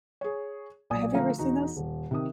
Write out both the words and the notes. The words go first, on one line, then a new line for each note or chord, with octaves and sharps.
Have you ever seen those?
G#4 C#5
B1 A#2 D5 G#5 D#6
D3 F3 A3 F5 A#5
E1 D#4 F#4
D#1
C3 D#3 D#6